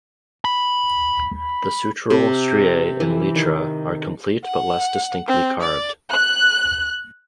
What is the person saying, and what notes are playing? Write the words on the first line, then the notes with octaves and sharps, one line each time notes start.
The sutural striae in elytra are complete but less distinctly carved.
B5
C3
E3
D#3
F#5
C4
D5
F#6